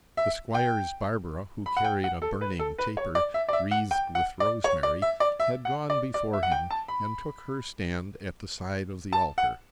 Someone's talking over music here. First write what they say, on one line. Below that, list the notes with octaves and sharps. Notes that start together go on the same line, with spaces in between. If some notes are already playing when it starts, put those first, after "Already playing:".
The squire's Barbara, who carried a burning taper wreathed with rosemary, had gone before him and took her stand at the side of the altar.
E5
G5
B5
F#5
G5
F#5
A4
B4
A4
B4
C#5
D5
E5
D5
E5
F#5
G5
F#5
D5
C#5
D5
E5
D5
E5
F#5
D5
D5
E5
F#5
G5
A5
B5
A5
F#5